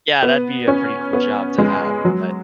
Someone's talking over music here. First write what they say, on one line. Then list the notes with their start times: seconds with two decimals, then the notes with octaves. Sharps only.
Yeah, that'd be a pretty cool job to have, but
0.23 B3
0.68 C#4
1.13 B3
1.58 G#3
2.05 F#3